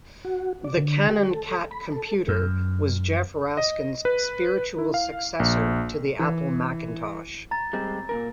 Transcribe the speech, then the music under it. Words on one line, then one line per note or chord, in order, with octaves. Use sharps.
The Canon Cat computer was Jef Raskin's spiritual successor to the Apple Macintosh.
F#4
D5
D3
G4
A4
B5
A4
F#2
D#5
B4
E4
F5
A#1
E3
A#5 A6
G3 G#3 C4
A#2 C#3 A#4